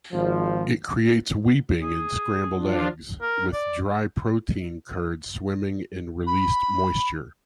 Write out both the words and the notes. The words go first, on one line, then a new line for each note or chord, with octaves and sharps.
It creates weeping in scrambled eggs, with dry protein curd swimming in released moisture.
G#1 F3
G#4
F3 D4 F4
A#4
D5
B5